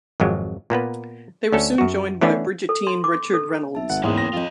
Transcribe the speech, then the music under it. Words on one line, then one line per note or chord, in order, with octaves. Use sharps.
They were soon joined by Bridgettine Richard Reynolds.
G#1 F2 F#3 G#3
A#2 A#3 B3 B4
D2 C#4 A4
F#2 F#4
E3 A3 B3 C#4 D4
A4
C6
D6
A4
B1 E5 A5
G#1 F#5
E2 G#2 G#3 A#3 C#4 G5 C6 D#6
A#6
F2 F4 D#5